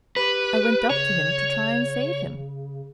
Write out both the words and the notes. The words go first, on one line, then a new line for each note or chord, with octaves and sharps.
I went up to him to try and save him.
G4 B4
C#3 C#5